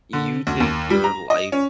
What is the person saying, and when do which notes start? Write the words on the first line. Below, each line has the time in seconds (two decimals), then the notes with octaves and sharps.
you take your life
0.13 D3
0.47 D2
0.60 D#2
0.90 G3
1.04 A#5
1.30 D#5
1.52 C#4